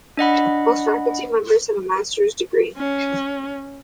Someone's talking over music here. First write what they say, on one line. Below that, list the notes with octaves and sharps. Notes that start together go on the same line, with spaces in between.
Most faculty members have a master's degree.
D4 D#5 F#5 B5
C#4